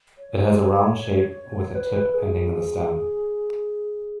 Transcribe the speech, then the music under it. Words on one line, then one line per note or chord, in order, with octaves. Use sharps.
It has a round shape with a tip ending in the stem.
C#5
B4
G#4